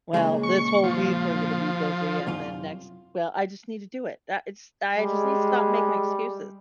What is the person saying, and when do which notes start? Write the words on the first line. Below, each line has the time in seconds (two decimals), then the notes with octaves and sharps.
Well, this whole week we're gonna be busy, and then next well, I just need to do it. That it's I just need to stop making excuses,
0.14 A#2 C#3 G#3
0.43 C#6
0.84 F3
2.27 C2 F#2 F4
4.97 G3 G#3